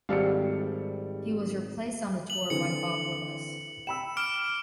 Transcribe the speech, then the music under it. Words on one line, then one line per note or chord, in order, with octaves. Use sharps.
He was replaced on the tour by Bob Willis.
G#1 G3 A4 D5 F5 C#7
F#7
D3 E3 C4 C#7
G5 B5 E6 E7
D6 F6 D7